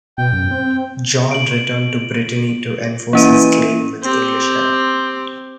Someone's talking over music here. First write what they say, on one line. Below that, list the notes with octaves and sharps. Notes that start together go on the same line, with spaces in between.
John returned to Brittany to enforce his claim, with English help.
B2 G5
F#2
C4
D7 F#7
E3 A#3 C#4 D#7
C4 G4